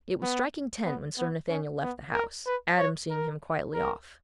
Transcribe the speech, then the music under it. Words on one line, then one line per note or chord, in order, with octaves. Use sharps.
It was striking ten when Sir Nathaniel left the house, Adam seeing him quietly off.
B3
B3
B3
C#4
B3
A#4
B4
C#5
A#4
A#4